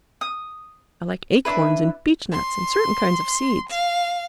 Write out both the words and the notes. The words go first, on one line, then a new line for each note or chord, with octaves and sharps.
"I like acorns and beechnuts and certain kinds of seeds."
D#6
D4 E4 B4
C6
F5